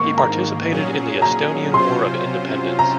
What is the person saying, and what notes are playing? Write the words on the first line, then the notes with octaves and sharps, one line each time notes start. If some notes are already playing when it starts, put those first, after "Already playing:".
He participated in the Estonian War of Independence.
Already playing: G#2 D#3 A#3 C#6
A#5
A#2 F#3 C#4 G#4
A#5
C3 F#3 C#4 F4 C5 C6
A#5